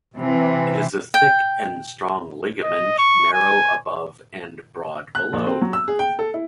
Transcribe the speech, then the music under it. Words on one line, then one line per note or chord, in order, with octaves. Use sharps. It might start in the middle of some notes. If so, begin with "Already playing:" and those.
It is a thick and strong ligament, narrow above and broad below.
C3 E3
G5
D#5
C#6
G#5
F#6
A#1
C4
F#3
E6
G#4
G5
A4
E4